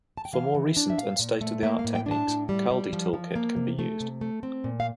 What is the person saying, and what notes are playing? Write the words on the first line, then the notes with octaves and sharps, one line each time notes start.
For more recent and state-of-the-art techniques, Kaldi toolkit can be used.
A5
G5
E3 F5
E3
D4
E5
A#2 F5
A#2
A3
A#3 E5
F5
A2
G5
D4 A5
A2
G3
G3
F3
F3
A#3
C3
A3
C3
A3
C4
A#2
F5